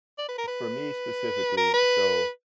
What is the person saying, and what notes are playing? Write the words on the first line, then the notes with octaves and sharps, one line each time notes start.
for me specifically, so
D5
B4
A#4
B4
A#4
B4